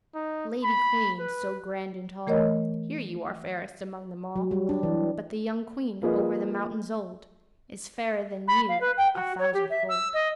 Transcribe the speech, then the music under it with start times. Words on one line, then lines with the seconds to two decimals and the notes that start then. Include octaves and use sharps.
"Lady queen, so grand and tall, Here, you are fairest among them all; But the young queen over the mountains old, Is fairer than you a thousandfold."
0.14 D#4
0.63 B5
1.19 B4
2.27 E3 A3 A#4 C#5 D#5
4.36 F#3
4.51 G3
4.69 D4
4.83 E3
6.02 F3 A#3 G#4 B4 D#5
8.47 B5
8.68 F5
8.80 B4
8.97 G5
9.14 F#4
9.39 C#5
9.53 G4
9.70 E5
9.89 E6
10.13 D#5